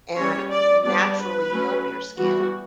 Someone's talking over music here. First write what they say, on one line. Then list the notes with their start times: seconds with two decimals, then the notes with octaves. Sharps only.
and naturally help your skin.
0.17 G3 C#4 C#5
0.51 D5
0.84 G3 B3 D4 D5
1.18 B4
1.51 F#3 A3 C#4
2.18 E3 G3 B3 F#4